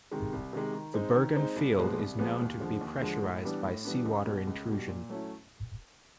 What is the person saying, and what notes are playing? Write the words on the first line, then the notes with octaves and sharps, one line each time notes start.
The Burgan field is known to be pressurized by seawater intrusion.
C3 D#3 G#3
C2
C3 D#3 G#3
D#3
G#3 C4 D#4
D#3
G#3 C4 D#4
C2
A#2 F3 G#3 B3
C2
A#2 F3 G#3 B3
D#2
D3 F3 G#3
D#2
D3 F3 G#3
A2
E3 G3 B3 D4
A2
E3 G3 B3 D4
C#2
B2 G3
C#2
B2 G3
A#2
F#3 A3 C#4 E4